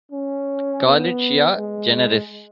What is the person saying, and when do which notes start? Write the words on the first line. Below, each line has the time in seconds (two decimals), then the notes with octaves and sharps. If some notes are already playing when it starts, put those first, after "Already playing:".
Call it Shea generis.
0.12 C#4
0.86 B3
1.56 G#3